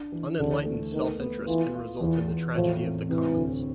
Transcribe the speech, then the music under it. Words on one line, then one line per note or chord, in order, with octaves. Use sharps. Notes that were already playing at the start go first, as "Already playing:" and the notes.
Unenlightened self-interest can result in the tragedy of the commons.
Already playing: D4
E3
D2 D3
A3
D#3 B3
B3
E3 F4
F4
E2 E3
E2
A2 F3
C4
C3 E3
D2